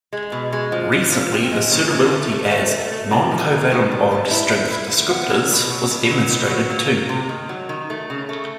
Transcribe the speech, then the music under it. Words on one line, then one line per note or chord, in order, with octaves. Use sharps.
Recently, the suitability as non-covalent bond strength descriptors was demonstrated too.
G#3
B2
G#3
F3
F3
F3
C4
G#3
C#3
E3
A3
A3
A3
A3
A3
C3
D#3
A#3
D#3
G3
G3
E4
E4
E4
D3
B3
F#3
B2
F#3
B2
F#3
B2
F#3
A#3
A#3
C3
D#3
F#3
D#3
A3
C#3
A3